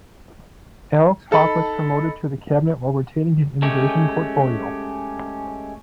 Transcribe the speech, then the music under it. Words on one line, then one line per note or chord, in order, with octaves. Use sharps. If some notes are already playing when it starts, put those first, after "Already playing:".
Alex Hawke was promoted to the cabinet while retaining his immigration portfolio.
D#4 A4 A5 B5
G#3 A3 C#4 G4